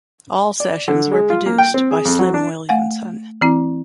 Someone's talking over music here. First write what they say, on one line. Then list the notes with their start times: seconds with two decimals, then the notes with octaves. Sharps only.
All sessions were produced by Slim Williamson.
0.60 D5
0.88 D3
1.12 G#3
1.30 F4
1.46 A#3
1.58 G5
1.74 C4
1.91 G#4
2.05 F2
2.19 F#3
2.34 D4
2.69 A3 F5 F#5 G#5
3.41 E3 C4 E4